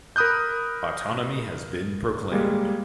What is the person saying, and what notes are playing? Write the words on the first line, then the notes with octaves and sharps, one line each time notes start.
Autonomy has been proclaimed.
A#4 B5 D#6 F#6 G6
G3 G#3 A#3